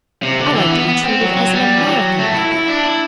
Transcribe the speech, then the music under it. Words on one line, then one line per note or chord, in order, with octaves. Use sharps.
"I like to be treated as an American lady."
C3
D3
E3
B3
B3
C4
F#3
F#3
G3
E3
F#3
A3
E4
E4
D4
E4